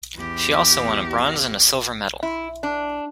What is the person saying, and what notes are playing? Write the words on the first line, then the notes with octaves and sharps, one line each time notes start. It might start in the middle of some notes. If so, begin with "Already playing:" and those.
She also won a bronze and a silver medal.
E2 G4
E4
D4